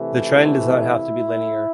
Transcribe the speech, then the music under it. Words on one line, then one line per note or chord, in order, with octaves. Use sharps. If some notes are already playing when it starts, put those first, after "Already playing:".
The trend does not have to be linear.
Already playing: C3 E3 A3
E4